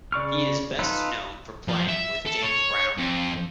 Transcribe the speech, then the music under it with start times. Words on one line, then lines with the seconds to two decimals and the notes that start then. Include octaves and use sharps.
He is best known for playing with James Brown.
0.12 C#3 D5 C#6 F6
0.79 D#4 F4 A4 B4
1.68 F3
1.89 E5
2.26 A4
2.44 C#5
2.98 F2